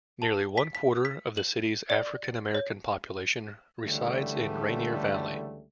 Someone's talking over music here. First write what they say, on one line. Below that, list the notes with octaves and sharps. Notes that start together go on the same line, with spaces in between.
Nearly one quarter of the cities' African-American population resides in Rainier Valley.
A5
B6
B6
B6
F#7
D5
A6
C#5
C#2 D3 E3 G3 A3